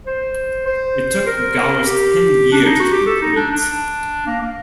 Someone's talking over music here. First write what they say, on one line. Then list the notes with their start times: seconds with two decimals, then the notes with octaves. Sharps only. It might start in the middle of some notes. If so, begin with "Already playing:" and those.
It took Gowers ten years to complete.
0.07 C5
0.66 C5
1.26 A#4
1.86 G4
2.52 D4
2.66 D#4
2.80 F#4
2.92 G4
3.06 A4
3.22 D#4
3.36 D4
3.51 D4
4.27 A#3
4.41 A#3